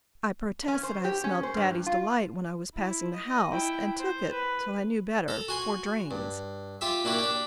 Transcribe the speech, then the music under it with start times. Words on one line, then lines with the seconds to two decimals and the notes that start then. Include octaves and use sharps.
I protest that I have smelt "Daddy's Delight" when I was passing the house, and took it--till I knew better--for drains.
0.68 C#4
0.83 C5
1.05 G4
1.24 C#4
1.43 C5
1.57 G2
1.86 F4
2.75 E4
3.14 D#5
3.50 E4 G5
3.98 C5
4.32 B4
5.28 A4 A#5
5.48 F#4 G#5 C6
6.11 G2
6.81 F4 G4 E5
7.04 A#3 D4 E4 F#4 G4
7.18 D4 G4